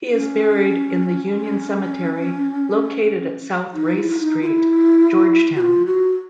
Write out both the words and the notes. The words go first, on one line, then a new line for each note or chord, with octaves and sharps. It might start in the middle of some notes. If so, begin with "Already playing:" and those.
He is buried in the Union Cemetery, located at South Race Street, Georgetown.
C#4
D#4
F4
E4
D#4
F4
E4
F#4
F4
F#4